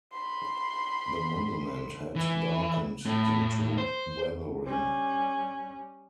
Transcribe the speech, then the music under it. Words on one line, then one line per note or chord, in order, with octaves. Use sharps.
The monument had darkened due to weathering.
B5 C6
E3
A2
C5
G3 C#4